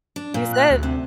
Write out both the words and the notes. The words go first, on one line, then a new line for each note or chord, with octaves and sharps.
you said,
D4
A#2
F#6
D2
C3